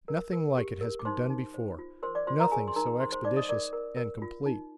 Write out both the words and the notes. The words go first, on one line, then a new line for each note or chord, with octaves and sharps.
Nothing like it has been done before; nothing so expeditious and complete.
A#4
A#4
G4
A#4
D6
D#4 C5 C6
D#4
C5
F4
A#4 C5 C6
D5 D6
F4 C5 C6
A#4 A#5
G#4 A#4 G#5
C6
D#4 A#4 A#5
C5 C6
C5 C6
D#4 D5 D6
D#5 D#6
A#4 D5 D6
A#4
A#4
F4
D#4